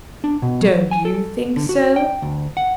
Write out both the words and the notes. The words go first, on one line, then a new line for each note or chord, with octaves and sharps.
'Don't you think so?
D4
B2
F#3
G#5
A4
D3
F#4
G5
D2
F#5